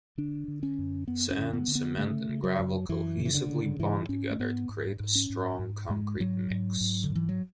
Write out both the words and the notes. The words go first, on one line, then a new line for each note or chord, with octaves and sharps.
Sand, Cement and Gravel cohesively bond together to create a strong concrete mix.
D3 D4
D3
C#4
F#2
F#2 B3
C#4
D3
B3
D3
B3
C#3 A3
C#3
F#3
F#2
F#2 E3
C#3
E3
D3
C#3
G#2 E3
G#2 C#4
A3
G#2 B3
G#2
G#2
C#4
G#2
G#2
G#2 G#3
G#2 F#3
G#2
G#2
D3
G#2
E3
F#3